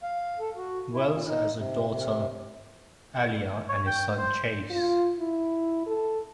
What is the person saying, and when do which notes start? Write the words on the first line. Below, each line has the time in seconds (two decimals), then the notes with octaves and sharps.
Wells has a daughter, Alyiah, and a son, Chase.
0.03 F5
0.40 A4
0.56 F#4
0.93 E4
1.11 A#2
1.27 D#4
1.55 C3
1.87 C3
3.69 C#5
3.86 G5
4.18 C5
4.70 F4
5.19 E4
5.86 A4